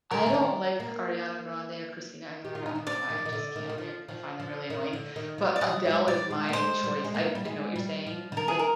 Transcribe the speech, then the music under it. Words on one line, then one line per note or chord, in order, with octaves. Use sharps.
I don't like Ariana Grande or Christina Aguilera, I don't know why, I just can't, they I find them really annoying, but Adele is my choice, I c I know what you're saying, like,
D3 A#4
D3
D#3
A#3
G4
F4
D#4
D4
C4 D5
D#3
F3
D#3
D3
D#3
D#3
F3
F3
F3
D#3
D3
D#3
F3
D5
G3 D#5
G#3
G3 D5
G#3
A#3
G#3 C5
G3
G#3
A#3
G3
G#3
G3
F3
D3
D#3 A#4
G#4
A#4